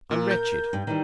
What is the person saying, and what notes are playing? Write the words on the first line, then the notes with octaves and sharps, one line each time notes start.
I'm wretched.
A#2 A#4
G6
G2
D#3 E3 G3